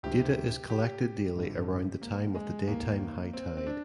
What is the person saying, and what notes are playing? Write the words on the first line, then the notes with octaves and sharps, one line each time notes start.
Data is collected daily around the time of the daytime high tide.
D2 C3 D#3 G4
G4
G#1 G2 D3 F3
A#3
G#3
D#2 D#3 A#3
C4
C4
D4